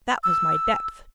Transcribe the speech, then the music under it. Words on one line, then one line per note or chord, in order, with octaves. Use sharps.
That was my depth! ...
E6